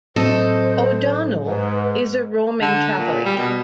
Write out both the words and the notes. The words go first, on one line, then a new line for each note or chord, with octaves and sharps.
O'Donnell is a Roman Catholic.
A2 F#3 C4 A4 C5 D#5
G#2 B4
D3
A#2
G3
B2